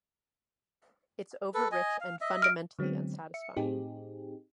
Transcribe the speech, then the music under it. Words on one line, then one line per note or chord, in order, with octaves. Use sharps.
It's overrich and fundamentally unsatisfying...
A4 B4
D#5 G#5
F5
D#5 E5
F6 D7
D3 F#3 G#3 B3 C4
E5 C#7
A2 C4 D#4 G4 G#4